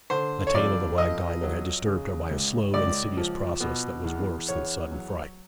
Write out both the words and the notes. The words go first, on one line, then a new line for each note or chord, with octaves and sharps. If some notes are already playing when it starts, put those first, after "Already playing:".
The tale of the Black Diamond had disturbed her by a slow, insidious process that was worse than sudden fright.
D3 C5
C#5
F2 D5
F2 D#5
F#3
C#3
C#2
C#2 D5
F3
B2
E2
E2 C#5
F#3